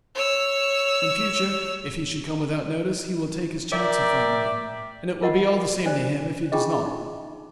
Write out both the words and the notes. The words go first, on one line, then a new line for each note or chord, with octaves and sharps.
In future, if he should come without notice, he will take his chance of finding you, and it will be all the same to him if he does not.
C#5 E6
A#4 D5 E5 G5
F4 A#4 D#5 F#5
D4 C5 D5
C#4 D4 F4 G4 G#4 D#5
D#4